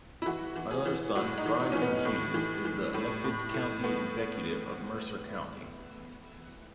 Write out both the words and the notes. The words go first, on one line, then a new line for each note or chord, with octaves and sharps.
Another son, Brian M. Hughes, is the elected County Executive of Mercer County.
E4
E3 F#4
E3
G#4
E3
A2 F#4
D#4
E3
D#4
E3 C#4
B3
A2
E3
E3
A2
A2
A2
A2 B3